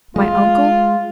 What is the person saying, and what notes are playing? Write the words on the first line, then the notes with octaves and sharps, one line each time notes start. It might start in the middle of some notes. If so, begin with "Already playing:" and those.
My uncle?
G#3 F4